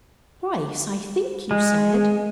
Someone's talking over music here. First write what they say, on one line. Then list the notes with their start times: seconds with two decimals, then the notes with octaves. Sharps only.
"Twice, I think you said?"
1.51 G#3